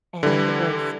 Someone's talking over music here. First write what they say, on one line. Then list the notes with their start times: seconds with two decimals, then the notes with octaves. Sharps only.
And it was
0.23 D3 E3 G3